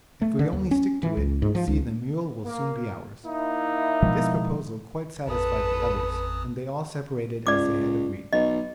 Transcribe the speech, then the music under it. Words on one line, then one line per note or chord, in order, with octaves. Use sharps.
If we only stick to it you'll see the mule will soon be ours.' This proposal quite satisfied the others, and they all separated as they had agreed.
A3
D3
D#2
C#4
E3
C#2
G#2
F3
C#2
A#3
A#3 D#4 E4
B2 F3 G#3
A1 F2 A4 B4 D#6
C#2 D5 D6
B1 D#5